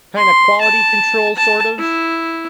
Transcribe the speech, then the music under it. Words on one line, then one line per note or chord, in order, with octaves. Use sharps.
kinda quality control, sort of?
C6
A5
A5
E4